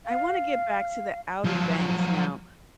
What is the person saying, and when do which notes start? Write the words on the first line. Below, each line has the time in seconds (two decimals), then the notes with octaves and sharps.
I wanna get back to the Outer Banks now,
0.06 F5
1.45 F3 F#3